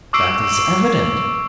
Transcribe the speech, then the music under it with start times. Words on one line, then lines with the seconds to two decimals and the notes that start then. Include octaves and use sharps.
That is evident.
0.13 C#6 D6 E6 C7 D7